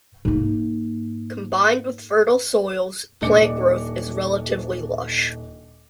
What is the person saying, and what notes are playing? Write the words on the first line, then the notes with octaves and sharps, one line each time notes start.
Combined with fertile soils, plant growth is relatively lush.
G#2 A#3
D#1 D4 D#5 D6 C#7